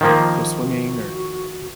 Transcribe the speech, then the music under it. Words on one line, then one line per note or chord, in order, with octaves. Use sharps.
go swimming, or
D#3 F3 A#3
F#4